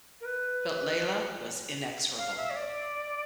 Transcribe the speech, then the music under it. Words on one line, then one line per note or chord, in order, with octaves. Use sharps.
But Layla was inexorable.
A#4
B4
F5
E5
C#5
D5